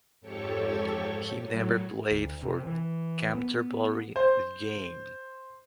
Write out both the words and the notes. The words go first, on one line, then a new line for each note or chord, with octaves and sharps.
He never played for Canterbury again.
F2 G#2 G4 A4 C#5 C#6
A2 F#3
D2
C3
E3
B3
C5